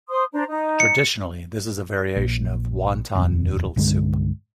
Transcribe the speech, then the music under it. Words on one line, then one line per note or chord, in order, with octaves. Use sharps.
Traditionally this is a variation of wonton noodle soup.
C5 C6 D#6
D4 C5 A#5
D#4
C#7
A#1
D#1 F2
C2 G2 D3 G#3